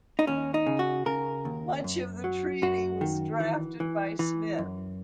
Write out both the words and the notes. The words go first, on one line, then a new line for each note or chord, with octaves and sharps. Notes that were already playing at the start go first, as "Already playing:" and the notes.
Much of the treaty was drafted by Smith.
D#4
D#2 C#4
D#4
C#3
F#4
C#3 A#4
D#2
F#2
F#3
F#2 F#4
D#3
E3
E3
E3
F#2